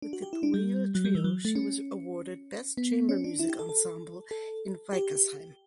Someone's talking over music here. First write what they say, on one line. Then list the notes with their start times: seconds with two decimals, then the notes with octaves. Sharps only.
With the "Puella Trio" she was awarded best chamber music ensemble in Weikersheim.
0.02 D4
0.13 F#4
0.22 G4
0.33 E4
0.43 D4
0.54 G3
0.95 F#3
1.05 G3
1.15 E3
1.24 F#3
1.45 A3
1.55 C#4
2.77 B3
3.09 C#4
3.24 D4
3.39 E4
3.49 G4
3.59 A4
3.69 A4
4.31 A4
4.93 G4